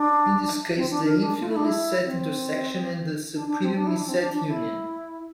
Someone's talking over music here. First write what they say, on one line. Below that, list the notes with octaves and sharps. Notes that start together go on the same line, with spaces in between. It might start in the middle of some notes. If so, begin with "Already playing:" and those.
In this case, the infimum is set intersection, and the supremum is set union.
Already playing: D4
C4
D4
A#4
D4
F4
E4
D4
E4
C4
D4
D4
C4
D4
E4
D4
C4
D4
D4
E4